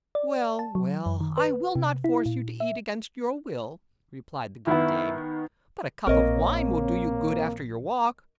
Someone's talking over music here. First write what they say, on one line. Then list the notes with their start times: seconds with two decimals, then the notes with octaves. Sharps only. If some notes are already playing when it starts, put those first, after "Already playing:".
"Well, well, I will not force you to eat against your will," replied the good dame "But a cup of wine will do you good after your walk."
0.15 D5
0.59 A5
0.75 F#3
1.06 F#2
1.21 D#3
1.38 B4
1.76 C3
2.04 E4
2.26 A#2
2.60 E5
4.67 D#3 B3 E4
6.07 A#1 A#3 C4 A#4 C#5 D#5